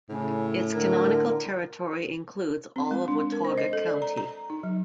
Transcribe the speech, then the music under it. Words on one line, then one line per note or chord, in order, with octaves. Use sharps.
Its canonical territory includes all of Watauga County.
A2 C#3
D3 A#4
C4
G#3
D4
A#4
C5
D#5
A4
D5
A#5
A#5
D#4
F#3